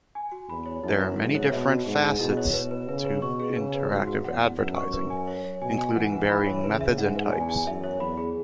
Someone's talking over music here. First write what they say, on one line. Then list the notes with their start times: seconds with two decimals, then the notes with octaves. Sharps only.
There are many different facets to interactive advertising, including varying methods and types.
0.15 G#5
0.32 F#4
0.49 E2 B5
0.66 C#5
0.83 F#2 E4
1.00 B4
1.17 G#2 F#4
1.35 C#5
1.51 B2 E5
1.68 F#4
1.86 G#2 G#4
2.03 G#4
2.19 B2 E4
2.37 C#5
2.53 B2 B4
2.71 B4
2.87 C#3 B4
3.05 B4
3.22 B2 C#6
3.40 G#4
3.56 C#3 B4
3.74 B4
3.90 G#2 F#4
4.07 F#4
4.24 E2 F#5
4.41 F#5
4.58 F#2 B4
4.76 C#6
4.93 B4
5.10 G#5
5.27 C#5
5.44 C#5
5.62 B2 G#5
5.78 G#5
5.96 E3 F#5
6.12 B4
6.29 E3 B5
6.46 C#5
6.64 C#3 B4
6.81 E5
6.98 G#2 F#5
7.15 B4
7.32 E2 G#5
7.49 G#5
7.67 F#2 E5
7.84 C#5
8.00 E2 B5
8.17 G#4